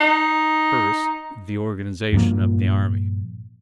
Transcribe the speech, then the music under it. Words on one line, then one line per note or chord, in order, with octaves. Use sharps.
First, the organization of the army.
D#4
G2 A#2 F3 A#3